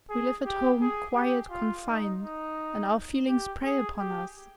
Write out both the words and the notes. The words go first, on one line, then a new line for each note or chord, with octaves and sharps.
We live at home, quiet, confined, and our feelings prey upon us.
G#4
G4
G#4
G4
F4
D#4
D#4
G4
G#4
G4